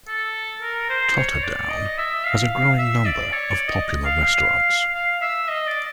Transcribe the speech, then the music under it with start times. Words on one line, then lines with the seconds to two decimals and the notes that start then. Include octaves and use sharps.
Totterdown has a growing number of popular restaurants.
0.08 A4
0.62 A#4
0.90 C5
1.16 C#5
1.43 D5
1.70 D#5
1.98 E5
2.25 F5
2.78 E5
3.06 D5
3.32 C#5
3.51 D5
3.68 D#5
4.05 F5
4.23 F5
4.95 F5
5.22 E5
5.49 D#5
5.67 D5